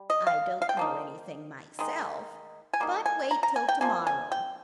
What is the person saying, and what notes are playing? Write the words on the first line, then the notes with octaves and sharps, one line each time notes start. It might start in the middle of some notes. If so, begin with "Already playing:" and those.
'I don't know anything myself, but wait till to-morrow.
Already playing: G3
D#5
F5
F5
G5
F3 A#3 D#4
D#3 G#3 D#4
G#5
G3 A#3 D#4
G#5
A#5
A#5
G#5
G5
D3 F3 A#3 G#5
G#5
G5